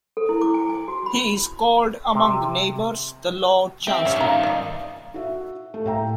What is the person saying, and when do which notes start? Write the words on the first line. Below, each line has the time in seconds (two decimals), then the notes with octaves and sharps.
He is called among the neighbours the Lord Chancellor.
0.17 A4
0.29 E4
0.42 D6
0.54 G#5
0.70 G#5
0.88 F#4
1.06 B5
2.15 C3
3.87 C4 G4 E5
4.05 G2 D#3 C#4 C#5
4.21 F5 A#5
4.43 D5 D#5
5.14 F#4 E5
5.74 A3
5.86 A2 E5 G5 A#5